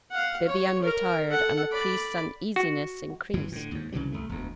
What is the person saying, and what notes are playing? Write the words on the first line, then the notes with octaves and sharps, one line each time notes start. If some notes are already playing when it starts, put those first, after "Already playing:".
Bibiaine retired, and the priest's uneasiness increased.
F5 F#5
C#5
A#4
A4 F#5
D5 B5
F#4
G1 E3 F#3
A2 D3
D#2 G#2
C2 C#3 E3 F#3
C2 A3
E1 D2